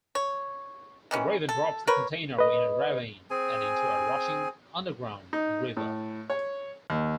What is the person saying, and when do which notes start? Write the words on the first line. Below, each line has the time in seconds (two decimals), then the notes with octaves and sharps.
The raven drops the container in a ravine and into a rushing underground river.
0.15 C#5
1.11 D#3 E3 C#4
1.49 A4
1.87 A#4 B4 C#5
2.38 B4 D#5
3.30 C4 G#4 G#5
5.33 D#4
5.77 A2
6.30 C#5
6.90 D#2